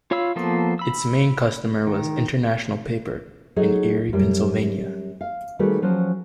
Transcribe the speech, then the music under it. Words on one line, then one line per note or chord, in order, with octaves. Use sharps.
Its main customer was International Paper in Erie, Pennsylvania.
F4 C#5 F5 B5 E6
F3 A#3 B3 A4 C5
B5 E6
D#3
F#3 D#4 G#4 A4 C#5 D#5
F#2 G3
F5
D#3 G3 A3 F#4 G#4 B4
F3 F#3 C#4 C5